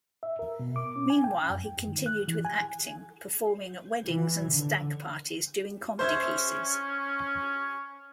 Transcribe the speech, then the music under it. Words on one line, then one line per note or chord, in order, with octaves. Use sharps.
Meanwhile, he continued with acting, performing at weddings and stag parties doing comedy pieces.
E5
A#4
B2
D6
C#4
G#5
G5
F#2
D#3
F#6
E3
G#5
E3
D3
C#4 C5 E5 G#6